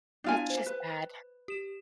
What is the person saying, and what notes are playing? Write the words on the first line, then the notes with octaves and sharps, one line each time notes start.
It's just bad.
B3 D4 E4 F4 G#5
C5
B4
G4 E7